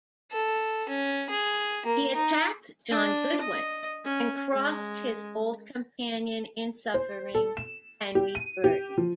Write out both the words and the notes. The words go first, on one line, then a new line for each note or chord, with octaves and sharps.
He attacked John Goodwin and crossed his old companion in suffering, Henry Burton.
A4
C#4
G#4
A#3
D#4
D4
D#5
C#4
G#3
C5
A4
E7
G4
D#7
G4
F3